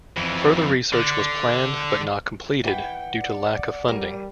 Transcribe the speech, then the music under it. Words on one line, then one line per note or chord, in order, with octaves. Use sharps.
Further research was planned but not completed, due to lack of funding.
F2 E3
D3
E3 F#5 G5 B5
D5
G3 A#4